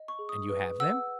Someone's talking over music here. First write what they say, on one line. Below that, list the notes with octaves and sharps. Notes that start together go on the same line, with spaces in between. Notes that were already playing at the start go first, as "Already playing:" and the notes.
"And you have them?"
Already playing: D#5
C#6
G#4
D#6
B4
F#5 E6